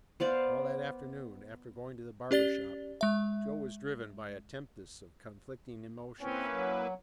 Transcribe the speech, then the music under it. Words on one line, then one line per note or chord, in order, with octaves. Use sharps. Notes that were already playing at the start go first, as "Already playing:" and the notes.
All that afternoon, after going to the barber-shop, Joe was driven by a tempest of conflicting emotions.
B3 C5 D5 F5
C#4 G4 D5 A6 G7
G#3 E5
A#3 C4 C#4 E4 B4
F#3